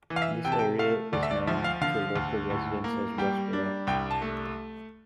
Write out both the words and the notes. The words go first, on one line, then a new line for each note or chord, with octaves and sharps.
This area is known to local residents as Westborough.
E3
F5
E5
C3 G5
A5
G5
A3 F5
D2 D5
E5
D5
F3 E5
F5
D3 F5
D2
A2
A#3
G3 G5
D4
C2 G5
A5
A3